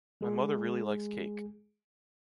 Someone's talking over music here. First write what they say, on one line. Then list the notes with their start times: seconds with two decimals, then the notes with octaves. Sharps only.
My mother really likes cake.
0.21 G#3 G#4